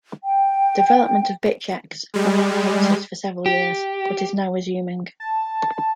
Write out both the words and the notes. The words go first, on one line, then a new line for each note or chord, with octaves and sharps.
Development of BitchX was on hiatus for several years but is now resuming.
G5
G3 G#3
G4
A5